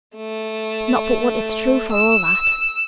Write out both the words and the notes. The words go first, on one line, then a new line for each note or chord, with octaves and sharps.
Not but what it's true for all that.'
A3
E6